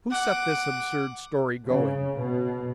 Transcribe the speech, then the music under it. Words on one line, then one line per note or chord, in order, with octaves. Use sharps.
"Who set this absurd story going?"
F#5 D6
C#3
B2